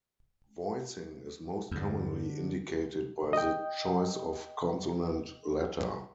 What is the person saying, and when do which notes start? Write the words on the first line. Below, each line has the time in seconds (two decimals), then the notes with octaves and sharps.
Voicing is most commonly indicated by the choice of consonant letter.
1.71 E2 G2 D3
3.33 D#5 G5